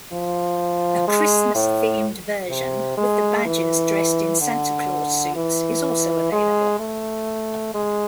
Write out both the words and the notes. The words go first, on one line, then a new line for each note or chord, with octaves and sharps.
A Christmas-themed version, with the badgers dressed in Santa Claus suits, is also available.
F3
G#3
A2
C3
G#3
E3
D3
E3
G#3
A3
G#3